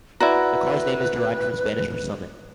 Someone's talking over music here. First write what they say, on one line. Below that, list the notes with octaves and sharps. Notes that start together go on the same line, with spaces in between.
The car's name is derived from Spanish for "summit".
E4 F#4 B4 D5 A#5